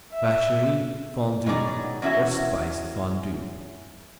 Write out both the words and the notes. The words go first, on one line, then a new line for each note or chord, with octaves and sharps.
Vacherin Fondu, or Spiced Fondu.
E5
B2 D#3 F#3 G#4 D5 A#5
E2 C#4 E4 F#4 E5